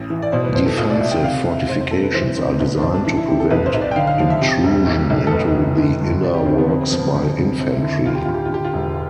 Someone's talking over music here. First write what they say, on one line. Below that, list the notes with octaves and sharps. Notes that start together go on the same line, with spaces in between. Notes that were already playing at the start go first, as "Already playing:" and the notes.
Defensive fortifications are designed to prevent intrusion into the inner works by infantry.
Already playing: A1
E3
D5
B2 C5
B4
B2 C5
A4
C2 F4
D5
C2 E5
G5
C3 F5
C3 E5
F1 C5
C5
C3 A4
B4
E3 C5
B4
D2 C4
C4
B1 B3
D4
B1 C4
D4
E3 D4
E4
C3 G4
A4
B1 B4
C5
B1
D5
G5
D3 F5
F5
F3 F5
E5
C3 G4
E1
B1
B1
A4
F1 B4
E3
D3
G2
C3 D5
G4
D2 C4
B3
F2 C4
C4
F3 B3
D2
C3
F1 C4
E4
D3 E4
D2 F4
G4
D2 F4
G4
F4
D3 G4
F4
E1